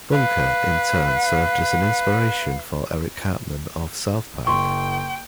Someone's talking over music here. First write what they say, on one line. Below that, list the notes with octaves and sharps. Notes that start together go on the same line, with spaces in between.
Bunker, in turn, served as an inspiration for Eric Cartman of "South Park".
B4 F5
F#1 G5 C6 C#6